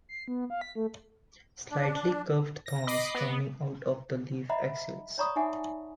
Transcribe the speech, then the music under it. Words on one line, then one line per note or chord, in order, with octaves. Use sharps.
Slightly curved thorns coming out of the leaf axils.
C7
B3
F5
B6
A3
D4
A#6
D#5 B5 D6 C7
B3
C5 D#5 E5 F#5 A#5 B5
C#5 D5 A#5 B5 C#6 D#6
D#4 G#4 E5 F#5 G#5